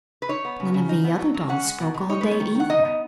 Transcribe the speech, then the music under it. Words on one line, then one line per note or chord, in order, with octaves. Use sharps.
None of the other dolls spoke all day, either.
B4
D#4 C#5
B3
C#3
C#3
D#4
B3
F#3
F#3
C#4 F#5
G#3
B2
B2
D#4 C#5
B3 B4
C#5
D#3
D#3
F#5
D#4 D#5
B3